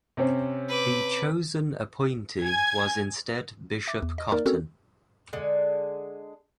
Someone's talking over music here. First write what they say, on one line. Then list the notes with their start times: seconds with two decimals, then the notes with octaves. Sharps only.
The chosen appointee was instead Bishop Cotton.
0.17 C3 C4 C#4
0.69 B4 D6
2.43 G#5 G#6
3.88 E5 D6
4.02 E2
4.18 D#5
4.32 A#3 D#4 A#4 D5
4.46 C4 C#4 F#4 A4 A#4
5.33 D3 G#3